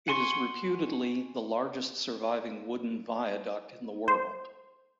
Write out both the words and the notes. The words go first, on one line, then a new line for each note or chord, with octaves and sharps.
It is reputedly the largest surviving wooden viaduct in the world.
F#5 G#5 C6 C#6
C5